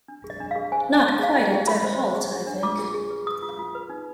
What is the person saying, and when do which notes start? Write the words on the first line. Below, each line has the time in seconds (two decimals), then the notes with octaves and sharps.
Not quite a dead halt, I think.
0.08 D4
0.24 G#4
0.30 D#5
0.40 D4
0.51 G#4 F5
0.72 C5 G#5
0.88 D4
0.93 G#5
1.04 D4
1.19 G#4 F5
1.35 F4 G5
1.51 G#4
1.67 D4 B5
1.84 C5
2.00 C5
2.15 G#4
2.31 D4
2.47 D4
2.63 F4 D6
2.79 G#4
2.94 G#4
3.10 B4
3.26 G#4 D#6
3.42 F4
3.59 F4
3.75 B4
3.90 D#4